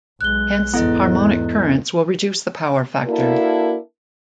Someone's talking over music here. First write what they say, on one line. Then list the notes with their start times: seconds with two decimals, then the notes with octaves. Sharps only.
Hence, harmonic currents will reduce the power factor.
0.21 B1 G#3 F#6 G7
0.74 E2 G#2 B3 E4 A4 D#5
3.05 A#3 D4 E4 F#4 A4 A#4